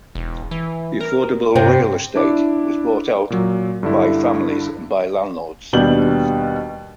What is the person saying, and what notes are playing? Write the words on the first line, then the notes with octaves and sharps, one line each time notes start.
The affordable real estate was bought out by families and by landlords.
E1
E3
A#4
G2 C3 C4
D4 E4 D6
A#2 F#3
G2 D3 E4
D#2 B2 G3 D4 G6 F#7